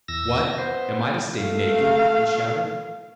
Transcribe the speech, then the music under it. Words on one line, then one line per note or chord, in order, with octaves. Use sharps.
"What, am I to stay naked?" he shouted.
E2 E6 A#6
B3 C5
A3 F5